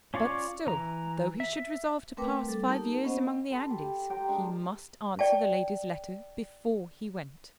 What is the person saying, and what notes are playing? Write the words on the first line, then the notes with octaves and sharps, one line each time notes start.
But still, though he should resolve to pass five years among the Andes, he must answer the lady's letter before he went.
C#4 F4 C#5 D5
E3 A#5
E5
A3 C4 A#4 B4 G5 D6
G3 A4
A#3 D#4 G4 A#4 A5
B3 C#4 C5 D#5 F#5
A4 B5 C6
G4
G4 G5 A#5 C6
G#3 D4 D#4 C6
D5 G5 A5